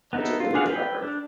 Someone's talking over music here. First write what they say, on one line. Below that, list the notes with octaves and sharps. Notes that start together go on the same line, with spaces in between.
It's a really good record.
B3 D#4 E4 A4
F4
D4 G#4 F5 F#5
B4 G5
D4